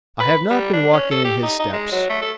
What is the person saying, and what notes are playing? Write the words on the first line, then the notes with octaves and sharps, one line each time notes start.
I have not been walking in His steps.
B4
G3
D4
C#4
A4
G4
D#4
D#4
G#3
F#3
A3
A4